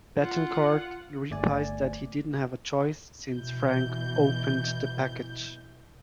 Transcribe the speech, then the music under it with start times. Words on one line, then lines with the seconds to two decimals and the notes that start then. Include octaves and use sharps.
Bettencourt replies that he didn't have a choice, since Frank "opened the package".
0.18 F4 F#5
1.30 G1 A3 D5 G#5
3.34 B2 E3 G6